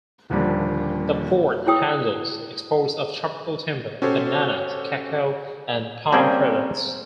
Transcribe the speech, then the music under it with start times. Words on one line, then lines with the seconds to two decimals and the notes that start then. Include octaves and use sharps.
The port handles exports of tropical timber, bananas, cacao, and palm products.
0.30 D#1 D#2 D3 F3 G3 D4
1.66 E4 G#4 C#5 G5 D#6 E6
4.02 C#4 F#4 G4 A4 C5 C#5
6.12 G3 A#3 C4 C#4 G#4 G5